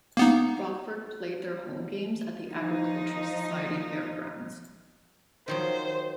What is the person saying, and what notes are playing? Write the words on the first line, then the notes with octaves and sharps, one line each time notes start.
Rockford played their home games at the Agricultural Society Fair Grounds.
A#3 B3 D#4
F3 D#4
D#3 F3 F#3 C5